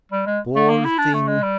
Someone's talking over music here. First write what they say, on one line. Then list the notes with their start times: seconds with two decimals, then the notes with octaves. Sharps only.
Poor thing!
0.12 G3
0.26 G#3
0.55 A3
0.69 A#3
0.85 E4
0.98 D4
1.14 A3
1.27 G#3
1.42 G3